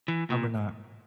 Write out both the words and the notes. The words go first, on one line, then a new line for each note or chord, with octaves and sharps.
Probably not.
E3
A#2